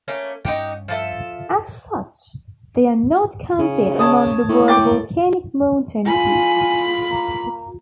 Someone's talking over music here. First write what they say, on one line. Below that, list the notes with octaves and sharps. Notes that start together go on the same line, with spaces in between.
As such, they are not counted among the world volcanic mountain peaks.
A3 A#3 C#4
G2 C#4 D#4 F#4 G4
F3 A4 E5
C#3
C#5 A5 D#6
A2
G5 D6 A6
F4 G#5 B5
A#3